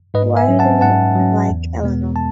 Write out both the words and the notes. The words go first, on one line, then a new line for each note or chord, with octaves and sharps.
Why do you like Eleanor?
G#2 B4 D#5
E5 G#5
F#3 C#4
F#5 A5
G#2 F#5 A5
F#3 C#4
E2
B2 G#3 B3
A5